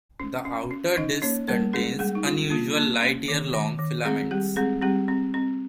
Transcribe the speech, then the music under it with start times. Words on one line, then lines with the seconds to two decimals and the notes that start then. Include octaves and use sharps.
The outer disk contains unusual light-year-long filaments.
0.20 C#4
0.45 C#4
0.71 C#4
0.97 C#4 D#4 D#5
1.22 A#3 C#4 C#5
1.48 G3 A#3 A#4
1.73 G#3 C#4 G#4
1.99 G3 G#3 G#4
2.15 D#4
2.25 C#4 F4
2.50 A#3 F4
2.77 A#3
3.02 C#4
3.28 D#3
3.53 D#3
3.79 D#3
4.05 G#3 C4 G#4
4.31 G3 G4
4.56 G#3 C4 G#4
4.81 G3 C4 G4
5.08 C4
5.34 C4